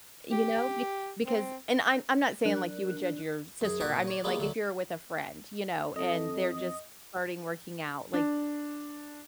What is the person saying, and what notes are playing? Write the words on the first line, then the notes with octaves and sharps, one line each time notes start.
eh, you know? Be because and I'm I'm not saying, like, you would judge your sister, I mean, like, if you're with a friend, you know, and they're just starting working out, like,
G4
C4
F#3 D4 A#4 D5 F#6
F#2 G#4
A#2 F#4 A#4 G#5 D#6
C#5 D5
G3 G#3 A#3 B3 C#4 F4
D2 D3 F#3
F2 A4 D#5
D4